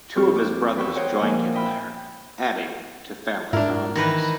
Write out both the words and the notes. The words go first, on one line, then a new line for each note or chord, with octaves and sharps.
Two of his brothers joined him there, adding to family founders.
F2 C4 A4 C5 C#6 F6
D6
E2 B4 G5 C#6 E6
A#4 C5 C#5 D#5 F#5 G5
A#2 F3 A#3 G#5 D6
D#5 E5 G5 B5 F6
G#2 D4 E4 A#4
D#3 E3 B4 B5 A#6